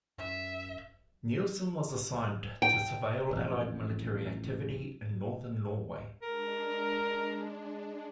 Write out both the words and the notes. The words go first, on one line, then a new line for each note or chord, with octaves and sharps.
Nilsen was assigned to surveil allied military activity in northern Norway.
F#2 E5
G5
A1 F2
G#3 D4 A#4